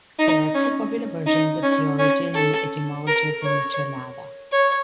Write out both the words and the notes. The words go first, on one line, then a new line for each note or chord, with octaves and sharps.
There are two popular versions of the origin and etymology of the michelada.
D#4
C#4
D#4
C#4
C#4
A4
A#4
C#5
C#5